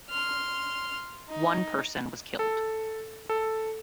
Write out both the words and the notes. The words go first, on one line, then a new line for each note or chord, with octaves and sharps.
One person was killed.
C6 F6
D#4
A4
A4